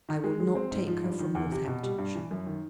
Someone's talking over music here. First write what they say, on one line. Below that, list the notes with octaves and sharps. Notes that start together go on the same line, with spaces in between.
I will not take her from Northamptonshire.
D#3
G#3
G#3
C4
G#2
F3
G2
D#3
E2
C3
B2
G3
G2
E3
F#2
D#3